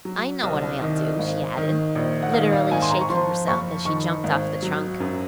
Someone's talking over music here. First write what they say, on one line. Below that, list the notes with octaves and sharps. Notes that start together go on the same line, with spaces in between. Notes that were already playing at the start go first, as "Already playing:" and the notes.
"I know what I'll do," she added, literally shaking herself as she jumped off the trunk.
F#3
C2
D#3
G#1
D#3
A#1
F#5
D#3 F5
F5
G#1 G#5
C6
A#5
C#6
F3 C6
F#1 C#6
D#3 C#6
G#1
F#3
F#2